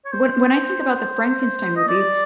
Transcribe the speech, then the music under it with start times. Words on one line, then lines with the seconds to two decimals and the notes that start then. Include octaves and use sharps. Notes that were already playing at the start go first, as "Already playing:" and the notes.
When when I think about the Frankenstein movie,
0.05 C#5
0.13 C5
1.76 D#5
1.88 D5